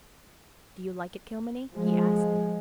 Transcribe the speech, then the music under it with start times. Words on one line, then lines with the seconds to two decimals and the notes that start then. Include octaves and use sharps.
"Do you like it, Kilmeny?" he asked.
1.75 F3 G#3